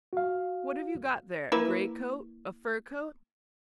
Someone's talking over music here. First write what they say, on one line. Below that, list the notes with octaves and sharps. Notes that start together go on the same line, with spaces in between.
What have you got there, a great-coat, a fur coat?
F#4 F5
A#3 E4 B4